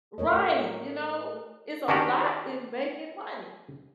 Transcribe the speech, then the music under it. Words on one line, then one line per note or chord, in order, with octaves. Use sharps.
Right, you know? It's a lot in making money.
A3 A#4 C#5 D#5
D#3 C#4 D4 F#4 G4